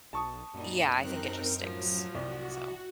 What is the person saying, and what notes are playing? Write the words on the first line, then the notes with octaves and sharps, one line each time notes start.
Yeah, I think it just sticks, so
B1 A5 C#6 D#6
F#2 A#2 G3 D#4
G#2 C4 D#4 G4 A#4 F#6
A2 F3 F#3
C2 F#4